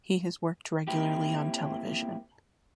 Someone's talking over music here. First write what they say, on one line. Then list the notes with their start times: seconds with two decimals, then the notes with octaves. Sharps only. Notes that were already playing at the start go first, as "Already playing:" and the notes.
He has worked regularly on television.
0.88 A#3 C4 E4 G4